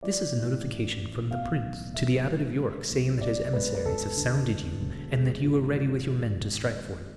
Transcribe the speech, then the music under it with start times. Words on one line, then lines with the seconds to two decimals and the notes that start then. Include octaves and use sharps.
"This is a notification from the Prince to the Abbot of York saying that his emissaries have sounded you and that you are ready with your men to strike for him."
0.03 F3 D5
0.35 A2
0.67 A1
0.99 A2
1.30 B2 F5
1.62 B1
1.94 B1 E5
2.26 G#3
2.58 G#3
2.90 B1
3.21 B2 D5
3.53 G#3 B4
3.75 B4
3.85 E1 A4
4.17 D3
4.49 D3
4.81 E1
5.12 G#1 G#4
5.44 G#1 F4
5.76 F3
6.07 F3
6.40 G#1
6.71 G#3